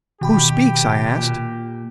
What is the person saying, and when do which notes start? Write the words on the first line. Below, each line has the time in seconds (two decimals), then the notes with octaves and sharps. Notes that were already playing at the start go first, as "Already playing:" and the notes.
"Who speaks?" I asked.
0.21 B2 D#3 G4 G5 B5
1.18 A#2